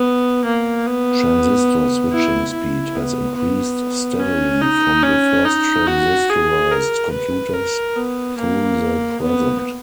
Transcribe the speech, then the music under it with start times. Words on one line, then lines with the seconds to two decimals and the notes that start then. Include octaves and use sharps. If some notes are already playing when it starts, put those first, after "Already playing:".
Transistor switching speed has increased steadily from the first transistorized computers through the present.
Already playing: B3
0.45 A#3
0.86 B3
2.12 E4
2.53 E4
2.95 B3
3.37 B3
4.20 C#4
4.61 D#4
5.03 C#4
5.45 D#4
5.87 F#4
6.30 G#4
6.71 A#4
7.13 B4
7.54 A#4
7.96 B3
8.38 A#3
9.21 B3